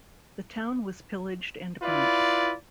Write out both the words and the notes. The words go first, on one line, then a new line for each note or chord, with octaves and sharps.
The town was pillaged and burnt.
E4 F4 B4 D5